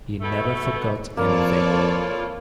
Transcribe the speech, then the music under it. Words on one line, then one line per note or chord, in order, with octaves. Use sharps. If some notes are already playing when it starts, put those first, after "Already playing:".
He never forgot anything.
B2 A3
F2 A#3 E4 F4 A4 C#5 D5